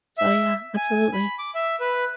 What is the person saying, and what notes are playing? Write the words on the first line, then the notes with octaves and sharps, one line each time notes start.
So, yeah, absolutely.
E5
G#5
B5
D6
E5
B4